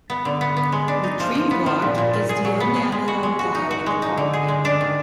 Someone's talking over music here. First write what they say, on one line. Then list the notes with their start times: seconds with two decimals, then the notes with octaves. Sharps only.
The trim gauge is the only analogue dial in the cockpit.
0.10 B3
0.25 D3
0.41 B3
0.57 B3
0.72 G#3
0.88 D4
1.04 D#4
1.20 F3
1.35 F3
1.51 B3
1.66 F3
1.82 A#2
1.98 A#2
2.13 A#2
2.29 G#4
2.45 F#3
2.60 B3
2.76 G#4
2.92 G#3
3.08 F#4
3.23 G#3
3.39 F#4
3.55 D#4
3.71 F#4
3.86 G#3
4.02 D#4
4.17 D3
4.33 G#4
4.48 G#3
4.65 D4
4.81 D#3